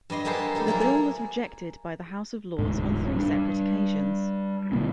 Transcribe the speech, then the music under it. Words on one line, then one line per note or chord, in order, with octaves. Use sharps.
The bill was rejected by the House of Lords on three separate occasions.
G2 G3 D#5 C6
G3 A#3 B3 G#4 A4 C5
G3 D#4 A4
F#3 G#3 A#3 E4
G#4 D5
E1 D2 G#2
G3 D4
B2 D3 A#3 C4